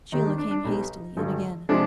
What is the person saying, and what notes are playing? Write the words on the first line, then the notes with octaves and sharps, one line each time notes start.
Sheila came hastily in again.
D#2 D#3 G3 D#4
D4
D4
D4
B1 B2 G3 D#4
G#1 G2 D3 G#3
C3 F3 G#3 D4